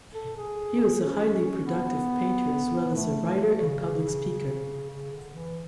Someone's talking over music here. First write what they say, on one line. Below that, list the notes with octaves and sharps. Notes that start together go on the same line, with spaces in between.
He was a highly productive painter as well as a writer and public speaker.
A4
G#4
C#4
B3
A3
C#3
C#3
D3
E3